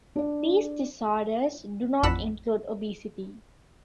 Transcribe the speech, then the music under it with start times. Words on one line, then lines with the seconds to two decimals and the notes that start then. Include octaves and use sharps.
These disorders do not include obesity.
0.16 D4 D5
2.03 A1 F2 F#5 B5 E6 B6